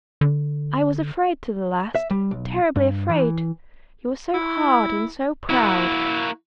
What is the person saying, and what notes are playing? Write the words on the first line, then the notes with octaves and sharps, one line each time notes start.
I was afraid to the last,--terribly afraid; you are so hard and so proud.
D3
E5
G3
B1
G2
E3
E4
A#3 E4 F#4